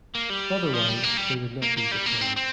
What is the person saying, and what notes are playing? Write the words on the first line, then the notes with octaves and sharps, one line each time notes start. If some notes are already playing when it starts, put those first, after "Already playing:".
Otherwise, they would not be deployed.
A#3
G3
F3
G3
A#3
G3
A#3
A#3
G3
A#3
C4
C4